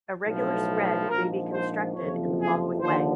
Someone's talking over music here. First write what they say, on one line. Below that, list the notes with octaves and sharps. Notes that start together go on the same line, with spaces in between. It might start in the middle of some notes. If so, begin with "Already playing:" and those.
A regular spread may be constructed in the following way.
B1 A2 F3
A#1 G#2 F3 A#4
C5
F#1 F2 C3 F3 C#5
G#4
D#2 D3 F3 C5